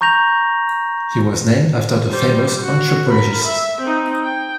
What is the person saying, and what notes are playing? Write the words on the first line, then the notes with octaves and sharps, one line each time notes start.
He was named after the famous anthropologist.
A#5 C#6 G6 A#6 F7
G3 C5
F#4
A#4 B5
E5
C4 D#4
G5